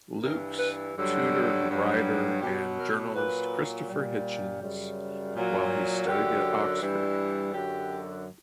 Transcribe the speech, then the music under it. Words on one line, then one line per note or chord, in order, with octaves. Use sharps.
Lukes tutored writer and journalist Christopher Hitchens while he studied at Oxford.
G2 E3 G3 A#4
B4
G2 D3 F#3
G2 F#3
B2 F#3 G4
A#4
A#2 F#3 B4
A#2 G3
F#2 C#3 G3
A#2 F#3
F#2 D3 F#3 G4
G2 E3 G3
F#2 D3 F#3 G4